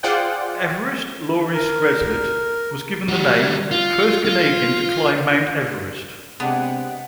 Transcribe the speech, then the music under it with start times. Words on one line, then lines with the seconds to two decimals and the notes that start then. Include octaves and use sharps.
Everest Laurie Skreslet was given the name first Canadian to climb Mount Everest.
0.03 F4 G#4 C5 D5 F#5 G5
1.54 A#4
3.08 G3 F#4
3.71 F4
4.25 F4
6.40 C3 G#3 B3 D4 G#4 F#5 G5